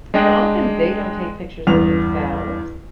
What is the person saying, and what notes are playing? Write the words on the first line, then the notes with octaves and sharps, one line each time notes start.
And often they don't take pictures of themselves,
G#3 D4 D#5 G5
E2 G2 F7